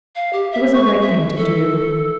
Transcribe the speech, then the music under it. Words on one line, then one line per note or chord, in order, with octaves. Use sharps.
It was a right thing to do.
F5
G4
E5
C#6
E5
A4